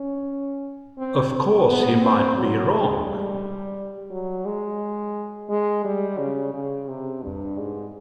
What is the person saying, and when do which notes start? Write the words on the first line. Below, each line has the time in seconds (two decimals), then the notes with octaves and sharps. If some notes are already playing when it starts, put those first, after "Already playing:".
Of course he might be wrong.
Already playing: C#4
0.98 C4
1.68 B3
2.02 C4
2.37 F#3
2.71 G#3
3.06 G3
4.11 F#3
4.45 G#3
5.49 G#3
5.84 G3
6.18 C#3
6.54 C#3
6.88 C3
7.22 G2
7.57 G#2